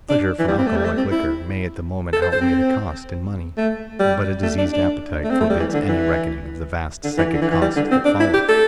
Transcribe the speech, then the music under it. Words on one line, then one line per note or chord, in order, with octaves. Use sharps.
The pleasure from alcoholic liquor may at the moment outweigh the cost in money, but a diseased appetite forbids any reckoning of the vast psychic cost that follows.
D4
E3
G3
C4
A3
G3
A3
C4
E4
A4
C5
C5
C4
A3
G3
A3
D4
D4
A3
C4
A3
G3
E3
D3
E3
D3
E3
D3
E3
E3
G3
D3
C4
D4
E4
G4
A4